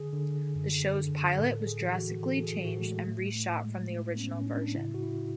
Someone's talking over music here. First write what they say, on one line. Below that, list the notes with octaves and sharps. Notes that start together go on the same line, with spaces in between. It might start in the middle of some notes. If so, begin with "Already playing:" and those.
The show's pilot was drastically changed and reshot from the original version.
Already playing: D3 G#4
D3
F#2
D3
A2 A4
G#4
E3
F#4
E3 A4
G#4
A2 F#4
A3
G#3
A2 A3
A3
A2
G#3
A2 A3
B3
C#4
A2
C#4
D4
D4
C#3 E4
F#4
E4